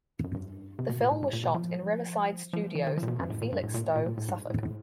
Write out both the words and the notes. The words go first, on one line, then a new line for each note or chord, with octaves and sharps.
The film was shot in Riverside Studios, and Felixstowe, Suffolk.
F#2
G2
C3
B2
A#2
A2
G#2
A#2
B2
F3
F3
E3
D#3
F3
A#2
B2
F#2
A2
A#2
G2
A2
A#2
A#2
A#2
A2
G#2
A2
A2